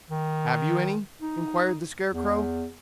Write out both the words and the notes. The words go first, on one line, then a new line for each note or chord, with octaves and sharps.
"Have you any?" inquired the Scarecrow.
D#3
D#4
E2